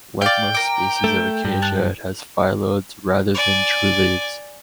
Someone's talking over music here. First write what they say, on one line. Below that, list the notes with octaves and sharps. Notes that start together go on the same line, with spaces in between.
Like most species of "Acacia" it has phyllodes rather than true leaves.
D5 F5 G5
A#4 D6
A3
G2
A5 F#6
D5 G#5